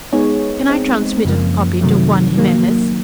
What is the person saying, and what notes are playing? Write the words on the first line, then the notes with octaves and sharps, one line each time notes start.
Can I transmit a copy to Juan Jimenez?
G#3 B3 D#4 G#4 C#5
G#3 C4 D#4
F#2 C#3 F3 A#3
C3 D#3 F#3 A3
D#3 F#3 A#3